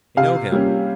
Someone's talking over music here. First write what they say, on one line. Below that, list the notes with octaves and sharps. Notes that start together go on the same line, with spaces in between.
I know him.
C3 F5
G3 A#3 C#4